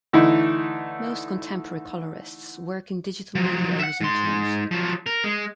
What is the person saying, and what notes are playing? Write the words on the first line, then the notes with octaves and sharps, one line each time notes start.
Most contemporary colorists work in digital media using tools.
D3 E3 A3 D#4 E4
F3 F#3
E5 F#5
G#2 C6
F3 F#3
A#4
G#3